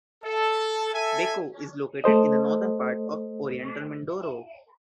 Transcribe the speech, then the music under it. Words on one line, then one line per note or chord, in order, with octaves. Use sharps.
Baco is located in the northern part of Oriental Mindoro.
A4
A4 E5 G#5
A3 A4 C5 D#5